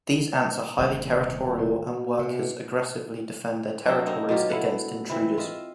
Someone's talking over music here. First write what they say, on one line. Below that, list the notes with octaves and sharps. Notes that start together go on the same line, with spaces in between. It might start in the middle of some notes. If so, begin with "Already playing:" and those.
These ants are highly territorial and workers aggressively defend their territories against intruders.
D#1 C2
A#2
B2
C3
F#3 D4 E5 G5
A#3 C4 C#4 D#4
B2 F#3 F4 G4
E4 A4 F#5
E3 C4 E4
F4 D#5 E5